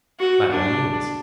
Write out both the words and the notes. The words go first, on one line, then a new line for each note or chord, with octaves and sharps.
By all means.
F#4
D4